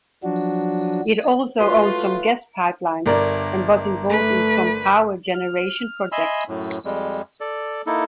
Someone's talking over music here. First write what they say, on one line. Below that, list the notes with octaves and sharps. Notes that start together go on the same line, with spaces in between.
It also owned some gas pipelines and was involved in some power generation projects.
F3 F#3 D4 F#4
A2 A3 F4 F#4 B4 C6
G1 A#4 D5
A3 B4
F6
D#5 E5 G#5 B5 C6 E6
F#2 A2
F2 G3 G#3
A4 D5
A#3 D#4 E4 A4